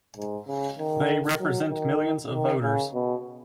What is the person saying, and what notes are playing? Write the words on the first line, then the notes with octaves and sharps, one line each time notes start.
They represent millions of voters!
G#2
C#3
D#3
F#3
D#3
D#3
C#3
B2